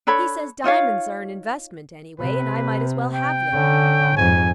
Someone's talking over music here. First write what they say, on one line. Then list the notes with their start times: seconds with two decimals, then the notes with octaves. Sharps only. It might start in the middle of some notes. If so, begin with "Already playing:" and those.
He says diamonds are an investment, anyway, and I might as well have them.
0.07 D4 A4 C#5 B5
0.64 D#4 F4 C#5 F5
2.20 C3 B4
3.14 G5
3.53 D3 C#4
4.17 F2 G#2 G#5